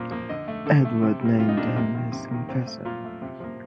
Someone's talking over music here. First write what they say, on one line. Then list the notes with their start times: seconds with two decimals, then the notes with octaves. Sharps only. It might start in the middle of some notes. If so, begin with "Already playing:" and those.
Edward named him his confessor.
Already playing: A#2 F3 A#3
0.11 F3 A#3
0.29 D3 D#5
0.48 A3
0.66 D3 A4
0.85 A3
1.03 C3
1.21 G3 A#3
1.39 C3 F4
1.49 D#4
1.57 G3 A#3 D4
1.67 C4
1.76 C3 A#3
1.95 D#3 A#3
2.12 C3
2.31 D#3 A#3
2.49 A#2 C4
2.67 A3
2.85 A#2 F4
3.05 A3
3.22 C3
3.40 F3 A#3